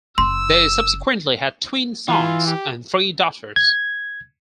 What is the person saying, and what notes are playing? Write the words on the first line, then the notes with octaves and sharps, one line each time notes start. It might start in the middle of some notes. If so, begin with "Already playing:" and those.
They subsequently had twin sons and three daughters.
F#1 C#3 C6 E6
E3 F4
G4
G#6